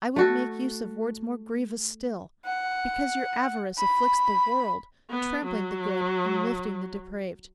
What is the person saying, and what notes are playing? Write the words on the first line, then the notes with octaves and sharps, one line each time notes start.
I would make use of words more grievous still; Because your avarice afflicts the world, Trampling the good and lifting the depraved.
A3 F#4 A4
F#5
B5
B3
F#3